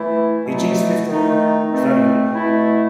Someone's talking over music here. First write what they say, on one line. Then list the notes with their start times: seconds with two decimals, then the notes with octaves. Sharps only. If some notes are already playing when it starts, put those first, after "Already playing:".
Hitchings's fifth book, Sorry!
Already playing: E3 A3 E4
0.44 B2 F#3 A3
1.08 D#3 A3 D#4
1.71 B2 A3 C4
2.34 B2 A3 E4